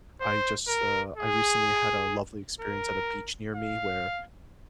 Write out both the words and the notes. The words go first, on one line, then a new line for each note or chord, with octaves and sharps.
I just, uh, I recently had a lovely experience at a beach near me where
C5
A#4
G#4
A#4
F5